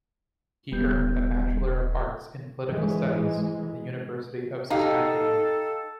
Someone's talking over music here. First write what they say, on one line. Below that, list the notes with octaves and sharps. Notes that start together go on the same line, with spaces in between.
He earned a Bachelor of Arts in political studies from the University of Saskatchewan.
D#1 G3 B3 G6
G#2 E3 G#3
D#4 G4 A4 F5 A#5